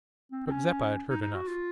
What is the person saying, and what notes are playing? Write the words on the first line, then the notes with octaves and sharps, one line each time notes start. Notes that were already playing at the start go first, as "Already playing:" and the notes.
But Zeppa had heard enough.
C4
C4
C#4
D#4
D#4
F#4
F4